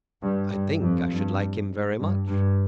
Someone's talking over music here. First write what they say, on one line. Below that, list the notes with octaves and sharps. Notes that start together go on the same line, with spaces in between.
"I think I should like him very much."
G2
G2
F2
G2
G2
G2